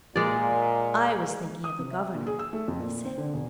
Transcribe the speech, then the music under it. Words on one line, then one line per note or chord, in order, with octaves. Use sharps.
"I was thinking of the governor," he said.
A#2 G#3 D5
D#6
C3
E5
A#2
G#4
E6
A3
F2
A#2
C4
D3
E1